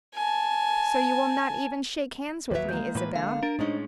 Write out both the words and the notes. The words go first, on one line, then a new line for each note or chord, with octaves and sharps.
"So you will not even shake hands with me, Isabel?"
G#5 A5
D#2 F#3 B4 E5
G#3 A#3 G6
A2 E3 B4
D3 F5
D4 A#4
A2 G#3 C#4 D#4 C5 D#5